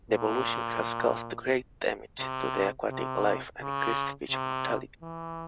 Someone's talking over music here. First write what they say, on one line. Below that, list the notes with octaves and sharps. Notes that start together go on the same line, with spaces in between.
The pollution has caused great damage to the aquatic life and increased fish mortality.
A#2
C3
C3
C#3
C3
E3